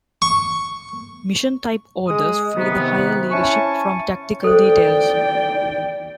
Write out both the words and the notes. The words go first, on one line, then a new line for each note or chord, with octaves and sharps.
Mission-type orders free the higher leadership from tactical details.
C#6
G#3 D#6
C3 D#3 B3
C#4 E4 G#5 A5 C#6
A4 C5 D5 G5